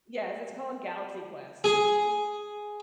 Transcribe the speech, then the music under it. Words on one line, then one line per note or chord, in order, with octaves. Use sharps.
Yes, it's called Galaxy Quest.
G#4